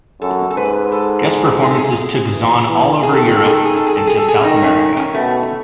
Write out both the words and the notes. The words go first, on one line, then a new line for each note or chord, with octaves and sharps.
Guest performances took Zaun all over Europe and to South America.
F#2 A4
A4
G#2 B4
A4
G#4
A4
G#4
E3
E3
D#3 G#4
A4
G#4
A4
G#4
A4
G#4
A4
G#4
A4
G#4
A4
G#4
C#4
D#3 D#4
C#4
C#4
C#4
B2 A3